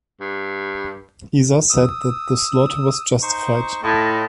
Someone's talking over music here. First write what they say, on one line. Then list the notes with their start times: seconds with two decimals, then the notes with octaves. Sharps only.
Isa said that the slaughter was justified.
0.20 G2
1.70 D#6 E6
3.22 D#4 C5 C#6
3.83 A2 F4 D#5 A5